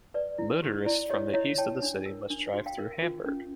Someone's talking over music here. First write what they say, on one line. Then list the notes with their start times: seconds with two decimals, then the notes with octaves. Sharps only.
Motorists from the east of the city must drive through Hamburg.
0.14 B4 D5
0.38 E4
0.62 G4
0.86 E4 D5
1.10 G4 C#5 D#5
1.34 E4 C#5 D#5
1.58 C#5 G5 A5
1.82 D4
2.06 A#4
2.30 D4
2.54 F#4
2.66 F5 G5
2.78 A#4
3.02 F4
3.26 C#4